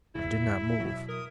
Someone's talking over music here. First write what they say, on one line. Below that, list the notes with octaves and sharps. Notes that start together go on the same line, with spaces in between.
She did not move.
E2 G#2 C#3 E4 E5
B2 F#3
A#4 D#6